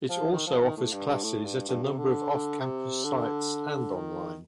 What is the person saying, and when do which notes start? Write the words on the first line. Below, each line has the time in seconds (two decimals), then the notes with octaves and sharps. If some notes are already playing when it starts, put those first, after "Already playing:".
It also offers classes at a number of off-campus sites and online.
0.09 F3
0.32 D#3
0.47 F3
0.62 D#3
0.77 A2
0.92 G2
1.07 G2
1.23 A2
1.45 G2
1.68 G2
1.83 C3
1.98 D3
2.59 C3
3.04 D3
3.95 D#3